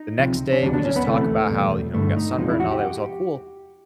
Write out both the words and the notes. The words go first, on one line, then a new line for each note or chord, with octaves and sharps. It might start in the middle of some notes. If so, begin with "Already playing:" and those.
The next day, we just talk about how, you know, we got sunburned and all that, it was all cool.
Already playing: D#4
C#2 C3 F3
C#4
D#2 C#3 F#3 D4
D4
C#4
B3
D2 C3 E3 A3
E2 B2 G3
G2 D3 G3 A3
D#4
E2 C3 F3 G#3 D#4
E4
F#4
G4